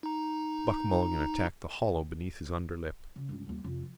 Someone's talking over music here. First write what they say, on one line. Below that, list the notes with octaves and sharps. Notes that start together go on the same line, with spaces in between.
Buck Mulligan attacked the hollow beneath his underlip.
D#4 A#5
C#3
C#2 G2
D#2 G3
F2 C3
F3